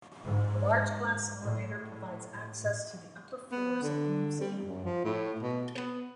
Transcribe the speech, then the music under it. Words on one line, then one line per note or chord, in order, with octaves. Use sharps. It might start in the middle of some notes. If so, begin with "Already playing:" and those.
A large glass elevator provides access to the upper floors of the museum.
G#2
A2
B3
D3
G3
F#2
F3
A2
B2
B3